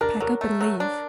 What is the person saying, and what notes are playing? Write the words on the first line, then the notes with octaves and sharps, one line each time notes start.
Pack up and leave.
D4 A#4
F#3 A#4
A3
F#3
D4